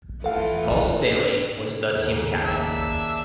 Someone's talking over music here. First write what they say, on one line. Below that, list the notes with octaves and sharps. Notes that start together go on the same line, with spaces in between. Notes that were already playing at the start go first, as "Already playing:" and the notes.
Paul Staley was the team captain.
E3 A3 F4 A4 F5 F#5
D#2 C#3
D4 E5